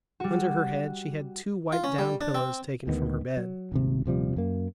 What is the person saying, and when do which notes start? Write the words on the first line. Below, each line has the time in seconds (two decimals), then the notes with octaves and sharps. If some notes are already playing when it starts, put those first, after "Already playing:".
Under her head she had two white down pillows taken from her bed.
0.20 G3 F#4
1.72 F4
1.84 C#4
1.99 G3
2.21 D4
2.35 C4
2.87 D2 D#3 G#3 B3
3.37 F#3
3.72 D#1 G#1 C3
4.06 D#1 C3 F3 G3
4.36 F#2 A#3